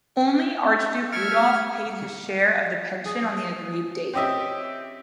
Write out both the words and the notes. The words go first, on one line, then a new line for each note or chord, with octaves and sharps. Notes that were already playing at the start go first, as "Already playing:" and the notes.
Only Archduke Rudolph paid his share of the pension on the agreed date.
A3 B3 E5 F6 G#6 C#7
G#4
C4 C#4 G4 D#5 E5